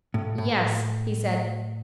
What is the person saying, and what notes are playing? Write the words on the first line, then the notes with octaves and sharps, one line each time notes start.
"Yes," he said.
A2
A2